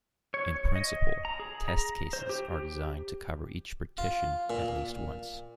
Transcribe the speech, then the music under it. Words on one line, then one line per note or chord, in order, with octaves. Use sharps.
In principle, test cases are designed to cover each partition at least once.
C#5
D#5
A#5
G#4
A#5
C5
G4
G4
F4
A#2